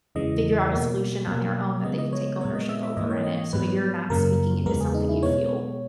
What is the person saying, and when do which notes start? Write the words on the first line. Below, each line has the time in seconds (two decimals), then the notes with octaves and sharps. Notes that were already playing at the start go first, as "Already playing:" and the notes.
figure out a solution on their own that they can take ownership over in it, so that you're not speaking into something you feel
0.15 E2 C#3 E3 G#3 D#5
0.72 B2 A#3
1.28 B2 F#3 A#3
1.84 C#3 G#3 B3 D#5
1.98 D#5
2.13 C#5
2.40 A#2 G#3 B3 C#5
2.55 D#5
2.69 E5
2.83 E5
2.97 G#2 E3 A#3 D#5
3.10 C#5
3.24 D#5
3.53 G#2 F#3 B3 B4
4.10 F#2 C#3 F#3 A#3 A#4
4.66 E2 C#3 G#3 B3 A#4
4.81 G#4
4.94 D#4
5.09 E4
5.22 B2 G#3 B3 C#5